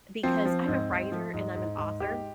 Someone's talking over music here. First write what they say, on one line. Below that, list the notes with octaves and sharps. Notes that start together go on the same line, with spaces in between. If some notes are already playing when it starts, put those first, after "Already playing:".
because I'm a writer and I'm an author,
F3 C4
F3
G#2
G#2
F3
G#2
G#2
G#2
G#2 G4